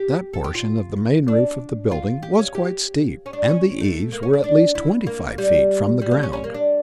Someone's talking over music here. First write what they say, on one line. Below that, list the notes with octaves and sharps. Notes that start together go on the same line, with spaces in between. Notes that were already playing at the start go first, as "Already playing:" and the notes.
That portion of the main roof of the building was quite steep, and the eaves were at least twenty-five feet from the ground.
Already playing: G4
A4
G4
F4
D4
F4
G4
C#4
G4
C#4
D4
C#4
A3
A#3
C#4
D4
D4
E4
A#3
G3
G3
A#3
C#4
C#4
A#3
D4